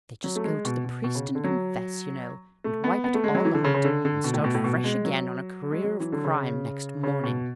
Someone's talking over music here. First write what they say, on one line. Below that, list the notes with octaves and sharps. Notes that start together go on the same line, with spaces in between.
They just go to the priest and confess, you know, and wipe it all out, and start fresh again on a career of crime next morning.
F#3
A3
G#3
B2
B2
B2
C#3
D3
F#3
A3
B3
B3
A3
G#3
F#3
E3
D3
C#3
C#3
D3
D3
B2
A2
B2
A2
B2
G#3
F#3
G#3
F#3
E3
D3
C#3
C#3
B2